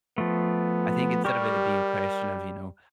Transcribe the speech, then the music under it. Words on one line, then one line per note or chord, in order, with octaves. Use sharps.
I think instead of it being a question of, you know
F3 A3 B3
G3 G4 A#4 C#6